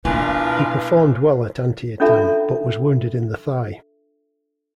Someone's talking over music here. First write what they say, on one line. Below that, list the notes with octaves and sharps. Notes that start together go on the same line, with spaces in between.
He performed well at Antietam, but was wounded in the thigh.
B1 D4 E4 F4 A#4 B4 G#5
C#4 D4 F4 A4 E5 A#5